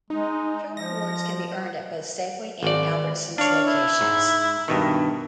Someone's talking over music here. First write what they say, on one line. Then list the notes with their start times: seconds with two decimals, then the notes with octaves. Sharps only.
Fuel rewards can be earned at both Safeway and Albertsons locations.
0.10 G#3 D#4
0.77 F3 A#6
2.63 G#1 D5
3.38 D4 C#5 F5
3.67 E4
4.01 G#2
4.68 G2 B2 D#3